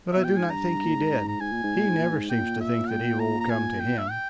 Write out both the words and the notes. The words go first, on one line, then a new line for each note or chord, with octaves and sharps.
"But I do not think he did. He never seems to think that evil will come to him."
B2 E5
A#2 G5
G#2 G#5
G2 A#5
A#2
G#2
A#5
G#2 G#5
A#2
G#2
A#2
G#2
A#2
G#2
A#2 G5
E5
G5
A#5
A#5
G#5
G5
E5
G5